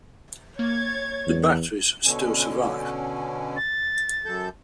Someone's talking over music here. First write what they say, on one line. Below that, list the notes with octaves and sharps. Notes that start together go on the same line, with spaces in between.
The batteries still survive.
A#3 C#5 G#6 A6
E2
B2 D3 C#4
A6
F#2 A4 G6